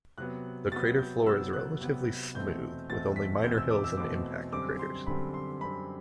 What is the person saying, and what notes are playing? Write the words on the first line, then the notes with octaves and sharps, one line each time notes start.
The crater floor is relatively smooth, with only minor hills and impact craters.
C3 F#3 B3 F#6
C3 F#3 B3 A6
G6
C3 F#3 B3 E6
F#6
C3 F#3 B3
E2 B2 A3 C4 G6
E2 B2 A3 C4 A6
B6
E2 B2 A3 C4 G6
E6
D6
E6
E2 B2 A3 C4 D6
F#2 D3 G3 C4 D6
C6
F#2 D3 G3 C4 B5
C6
F#2 D3 G3 C4 B5